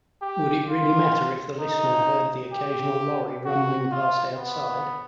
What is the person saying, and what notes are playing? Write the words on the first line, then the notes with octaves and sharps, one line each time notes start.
'Would it really matter if the listener heard the occasional lorry rumbling past outside?
G4
F4
D#4
G4
F#4
F4
B3